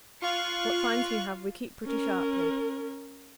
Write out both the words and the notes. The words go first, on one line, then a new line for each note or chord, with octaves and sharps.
What fines we have, we keep pretty sharply.
F4 F5 C#6 F#6
C#4 A#4